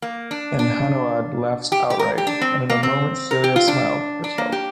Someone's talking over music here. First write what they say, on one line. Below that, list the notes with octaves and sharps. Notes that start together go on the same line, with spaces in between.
And Hanaud laughed outright, and in a moment Celia smiled herself.
A#3
D4
D4
G4
G4
A#4
G4
D4
C4
A#3
C4
A#4
G4
F4
D4
D4
A#3
G4